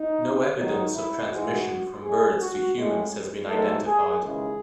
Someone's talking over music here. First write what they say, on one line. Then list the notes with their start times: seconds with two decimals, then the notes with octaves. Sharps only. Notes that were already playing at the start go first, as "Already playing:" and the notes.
No evidence of transmission from birds to humans has been identified.
Already playing: D#4
0.58 G#2 D#3 F#3 D#4
0.94 E4
1.30 G#2 E3 G#3 F#4
2.03 A2 G#3 G#4
2.39 F#4
2.76 A2 G#3
3.49 G#2 F#3 A3 A4
3.84 G#4
4.21 D#2 C#3 E3 G#3 G#4